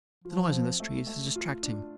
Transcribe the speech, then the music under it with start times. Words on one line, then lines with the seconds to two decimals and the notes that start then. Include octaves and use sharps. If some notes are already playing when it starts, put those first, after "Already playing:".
The noise in the streets is distracting.
0.24 F3 F4
0.52 C4
0.80 A3
1.07 A3
1.36 F4
1.63 D4